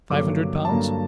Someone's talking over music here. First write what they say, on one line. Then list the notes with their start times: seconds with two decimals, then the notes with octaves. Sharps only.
Five hundred pounds?'
0.10 G2 D3 F#3 A#3 D6
0.65 A5
0.69 G2 D3 F#3 A#3 A#5